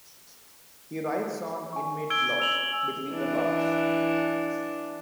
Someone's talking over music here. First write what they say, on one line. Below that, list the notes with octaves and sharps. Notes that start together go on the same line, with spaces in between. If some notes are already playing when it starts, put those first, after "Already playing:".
He writes on inmate blog "Between the Bars".
G#5 C#6
E6 G#6 D7 G7
E6 F7 F#7
E3 D4